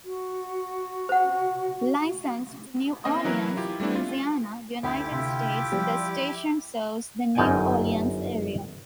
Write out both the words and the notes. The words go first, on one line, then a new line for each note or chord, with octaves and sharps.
Licensed to New Orleans, Louisiana, United States, the station serves the New Orleans area.
F#4
C5 F#5
A#3 C4 C#4 D#5
E3 F#3 E4 A#4 B4
E4 F4 G4
G3 A3 C4 D4 E4
F4
D2 E4 G4 C5 D6
C3 F4 E5 G5
F3 G3
G1 F#2 D#4 D5 G5 G#5